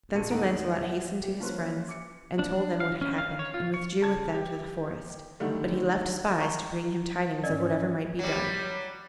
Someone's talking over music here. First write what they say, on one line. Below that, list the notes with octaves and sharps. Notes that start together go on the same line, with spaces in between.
Then Sir Launcelot hastened to his friends, and told them what had happened, and withdrew with them to the forest; but he left spies to bring him tidings of whatever might be done.
A#1 G#3 A4 C#7 D#7
D#2 A2 D#4 F#5 A#5 D7
E5 F#5
G4
F3 A#3 C#4 B4 C6 F#6
D6 C#7
D4
D4
F5
C#4
F5
C#5
F4
C#6
C#3 A5 G#6
G4
D3 D#3 F#3 G3 A3
A#5 C#6
G#2 C#4 A#4 D5 D#5
F#3 G3